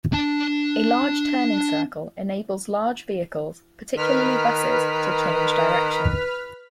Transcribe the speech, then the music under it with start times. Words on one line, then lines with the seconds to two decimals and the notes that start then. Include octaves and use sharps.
A large turning circle enables large vehicles, particularly buses, to change direction.
0.13 D4 A5
3.96 D#3 B4 F6 B6